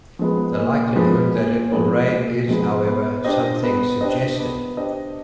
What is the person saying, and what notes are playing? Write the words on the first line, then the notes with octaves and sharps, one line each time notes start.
The likelihood that it will rain is, however, something "suggested".
F3 G#3 B3
A#2
F3 G#3 B3
A#2
F3 G#3 B3
A#2
F3 G#3 B3
B3
D4 G4 C5 D#5
B3
D4 G4 C5 D#5
B3
D4 G4 C5 D#5